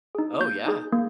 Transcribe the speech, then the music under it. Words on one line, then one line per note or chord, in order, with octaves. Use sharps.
Oh, yeah,
D#4 G#4
A#3 G6
D#4 G#4
A#3